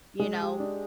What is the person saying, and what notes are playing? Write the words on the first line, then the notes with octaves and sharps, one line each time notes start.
you know?
G#3
G4
D4